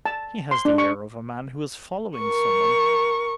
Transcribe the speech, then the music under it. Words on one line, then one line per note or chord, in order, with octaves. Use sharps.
"He has the air of a man who is following some one."
A5
C6
D4
C#6
A#4 C#6